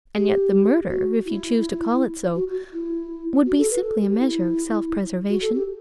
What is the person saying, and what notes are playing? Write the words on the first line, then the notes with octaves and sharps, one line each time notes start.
"And yet the murder, if you choose to call it so, would be simply a measure of self-preservation."
G4
F#4
E4
F#4
F#4
E4
F#4
A4
B4
A4
G4
E4
F#4
A4
G4